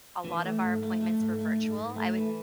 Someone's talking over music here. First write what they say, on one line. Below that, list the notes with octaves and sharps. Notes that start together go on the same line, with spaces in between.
a lot of our appointments were virtual, I would
E3
A3
G#2
A3
A3
G#2
A3
G#2
G#2
A3
E3